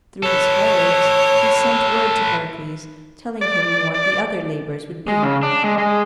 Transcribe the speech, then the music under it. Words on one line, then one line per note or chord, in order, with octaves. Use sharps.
Through his heralds he sent word to Heracles, telling him what the other labors would be.
A4 B4 C#5
D5
D5
G#3
C#3
D4
G#3
G#3